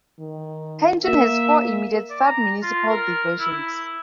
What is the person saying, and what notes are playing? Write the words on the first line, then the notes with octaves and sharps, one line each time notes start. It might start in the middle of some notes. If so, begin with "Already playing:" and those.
Panjin has four immediate sub-municipal divisions.
D#3
A#3 E5
D5
A#5
F4
A#4
E4